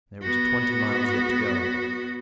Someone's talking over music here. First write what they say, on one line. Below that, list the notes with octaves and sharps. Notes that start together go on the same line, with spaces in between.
There was twenty miles yet to go.
B3 F#4